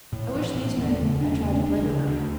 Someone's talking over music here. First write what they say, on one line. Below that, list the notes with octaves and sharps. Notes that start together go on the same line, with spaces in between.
I wish these men had tried to play with them.
A2
A1
A2
E1 B3
A3
E2 C#3
E1 D4
C#4
E2 C#3 A3
C#4
D2 D4
C#3
D2